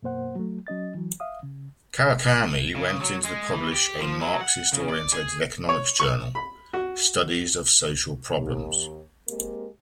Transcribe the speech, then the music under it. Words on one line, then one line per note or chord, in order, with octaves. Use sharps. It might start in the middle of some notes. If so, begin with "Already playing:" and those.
Kawakami went on to publish a Marxist-oriented economics journal, Studies of Social Problems.
F#2 B2 A#3 C5 F#5
F#3 A3
F#3 C#4 D#5 A6
E3 F#3
E5 F5 D#6
C#3
C#3
F#3
G#3
E3
G4
F3
F#3
F#5
C#3
D5
G#4
C#5
C#6
B5
F#4
D#2
G#3 A#3 C4 G4 A#4